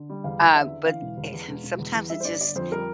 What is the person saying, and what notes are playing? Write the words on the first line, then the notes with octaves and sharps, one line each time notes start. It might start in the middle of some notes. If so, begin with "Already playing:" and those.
uh, but, eh and sometimes it's just
Already playing: D3
G3
E2 F5
E2
D3 E5
D3
E3 F5
E1
E2
E2
E1
E1
E2
E3
G3 E5
C5
G1 D5
D3 D5
F2 C5
G3 A#4